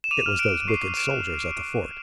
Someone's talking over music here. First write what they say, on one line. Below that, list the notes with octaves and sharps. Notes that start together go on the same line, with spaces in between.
It was those wicked soldiers at the fort!
E7
D6 D#7 F7
F6
F#6 D7 E7
F#6
C#6 C7 D7
C#6
C#6 D7 E7
F#6